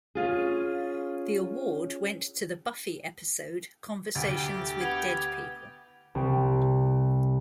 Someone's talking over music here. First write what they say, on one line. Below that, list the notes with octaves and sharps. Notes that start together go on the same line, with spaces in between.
The award went to the "Buffy" episode "Conversations with Dead People".
C#4 F4 G#4
D2 G4 A6 D7
B3 G#6 F7
C2 G5